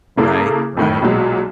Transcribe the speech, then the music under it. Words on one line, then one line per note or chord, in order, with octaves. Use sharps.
Right, right.
C#3 A#3 E4 A4
F2 A2 D#3
B1 A#2 F#3 G#3